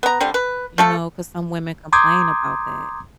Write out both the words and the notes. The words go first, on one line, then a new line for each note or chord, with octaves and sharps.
You know, 'cause some women complain about that.
B3 A#5
D3 G3 C4
B4
F3 A3 A4
A#5 C6 D6 D#6 G6 G#6